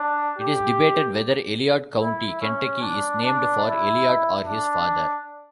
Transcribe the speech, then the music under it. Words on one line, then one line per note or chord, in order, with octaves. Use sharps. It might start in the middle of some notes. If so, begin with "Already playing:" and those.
It is debated whether Elliott County, Kentucky is named for Elliott or his father.
Already playing: D4
G4
E4
C#4
D4
D4
E4
D4